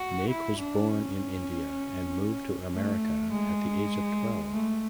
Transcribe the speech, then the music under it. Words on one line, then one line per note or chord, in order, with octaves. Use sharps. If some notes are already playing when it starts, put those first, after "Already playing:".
Naik was born in India and moved to America at the age of twelve.
Already playing: F#4
E4
D4
C#4
A3
G#3
A3